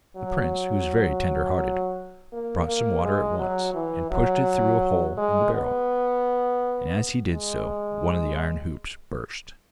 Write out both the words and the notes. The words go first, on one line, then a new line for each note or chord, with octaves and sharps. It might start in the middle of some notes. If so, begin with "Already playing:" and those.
The prince, who was very tender-hearted, brought some water at once, and pushed it through a hole in the barrel; and as he did so one of the iron hoops burst.
F#3
A#3
A#3
G#3
F#3
E3
F#3
G#3
B3
G#3